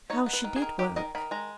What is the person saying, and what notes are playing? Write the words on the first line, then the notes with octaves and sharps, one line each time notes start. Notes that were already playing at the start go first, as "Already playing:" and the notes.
How she did work!
D#4 C#5
B3
B4
D#3
G#4
D#3
D#3 G4
D#3 D#5
D#3 B5
G#3 A#5